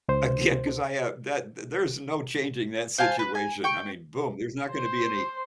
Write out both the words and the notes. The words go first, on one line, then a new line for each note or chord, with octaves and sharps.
again, 'cause I ha that there's no changing that situation, I mean, boom, there's not gonna be any
C#2 C5
C5 F5 G#5 A5
B4
G#5
G5 C#6
C5